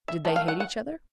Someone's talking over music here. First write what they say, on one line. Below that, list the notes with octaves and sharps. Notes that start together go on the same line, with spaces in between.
Did they hate each other?
E5
D#3 F#3 A3
F5
F#5
F#5